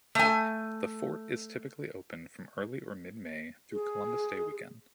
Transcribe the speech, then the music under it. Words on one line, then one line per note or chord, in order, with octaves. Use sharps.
The fort is typically open from early or mid May through Columbus Day weekend.
A3 G#5
G#4